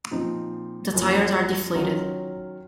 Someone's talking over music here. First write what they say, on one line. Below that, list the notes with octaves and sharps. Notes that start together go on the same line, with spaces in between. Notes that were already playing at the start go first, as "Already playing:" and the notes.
The tires are Deflated.
A#2 F3 C4 D#4
F#2 F3 A#3 C#4
D#3 F#3 C#4 F4 A#4